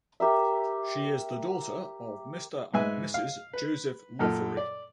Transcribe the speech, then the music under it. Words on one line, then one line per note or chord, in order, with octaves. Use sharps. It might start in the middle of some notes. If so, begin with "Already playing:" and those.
She is the daughter of Mr. and Mrs. Joseph Loughery.
G4 A#4 E5
G#2 B4 E5 G#5
F5
B4
F#2 A#2 A4 F6
D5